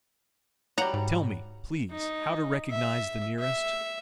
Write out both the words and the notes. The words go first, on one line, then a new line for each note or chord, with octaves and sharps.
"Tell me, please, how to recognise the nearest."
F#3 G3 F#5 A#5
G#2
D#4
E5
E5